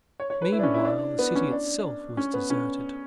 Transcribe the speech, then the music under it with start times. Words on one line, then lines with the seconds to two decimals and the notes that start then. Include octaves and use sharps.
Meanwhile, the city itself was deserted.
0.20 C#5
0.30 C#5
0.42 B4
0.52 E4
0.59 D4
0.63 C#4
0.74 E4
0.85 D4
1.19 B3
1.35 C#4
1.51 D4
2.17 C#4
2.34 B3
2.50 C#4